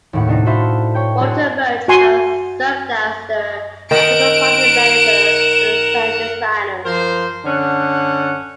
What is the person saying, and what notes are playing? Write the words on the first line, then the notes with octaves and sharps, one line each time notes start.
Walter Murch served as the supervising editor and sound designer.
D#2 A2 F#5
C3 D4 D#4
F#4 A4 B4 C5 E5 F5
C#5 G5 G6
C4 D4 F#4 G#4 C5 F#5
F#4 F#5 G#5 C6
D#3 A#4 F#5 D7 E7
F3 A#4 C5
D3 C#4 F#5